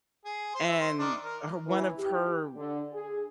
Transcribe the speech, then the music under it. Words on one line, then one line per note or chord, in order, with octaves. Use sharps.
and her one of her
G#4
C5 C6
E5
C5
D#3 D4
A#4
E3
G4
D3
G#4